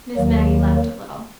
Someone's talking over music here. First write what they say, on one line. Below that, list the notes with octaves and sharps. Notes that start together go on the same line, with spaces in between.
Miss Maggie laughed a little.
D#2 D#3 F#3 A#3